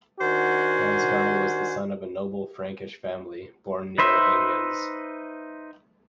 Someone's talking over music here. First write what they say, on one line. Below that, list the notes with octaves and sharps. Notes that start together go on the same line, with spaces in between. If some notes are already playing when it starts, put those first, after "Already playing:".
Ansgar was the son of a noble Frankish family, born near Amiens.
D#3 D4 F#4 C5 F#5 G#5
D#4 B4 C5 E5